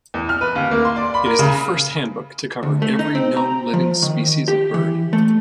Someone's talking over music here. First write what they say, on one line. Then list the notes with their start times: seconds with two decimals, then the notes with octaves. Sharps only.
It is the first handbook to cover every known living species of bird.
0.14 E2
0.29 F6
0.41 B4
0.56 D#2
0.71 A#3
0.85 C6
0.96 D5
1.14 B5
1.26 A#4
1.39 C#3
2.63 D2
2.82 A3
2.99 D#4
3.15 C4
3.37 A#5
3.74 F3
4.03 D#3
4.48 G4
4.74 E3
5.13 A3